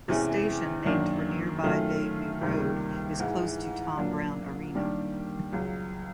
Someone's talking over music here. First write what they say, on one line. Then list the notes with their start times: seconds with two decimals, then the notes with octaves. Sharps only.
The station, named for nearby Bayview Road, is close to Tom Brown Arena.
0.08 E2 C3 E3 G#3 C#4
0.85 F#2 D#3 F#3 A#3 D4
1.64 D#3 F#3 A3 C#4 F4
2.41 C#2 C3 D#3 G3 A#3
3.19 G#2 E3 G#3
3.97 A#2 F#3 A#3 D4
4.75 D#3 G3 A#3 D4 G4
5.53 C#2 C#3 F#3